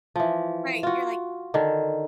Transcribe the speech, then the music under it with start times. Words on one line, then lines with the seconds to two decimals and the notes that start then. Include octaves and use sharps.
Right, you're like,
0.16 E3 F3
0.83 F4 F#4
1.54 D3 D#3